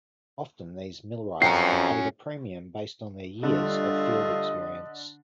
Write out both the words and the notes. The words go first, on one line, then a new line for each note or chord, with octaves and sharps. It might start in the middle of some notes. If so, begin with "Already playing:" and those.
Often, these millwrights are paid a premium based on their years of field experience.
F2 C#4 F#4 G5 A#5 C7 C#7
D3 G3 A3 F4 D#5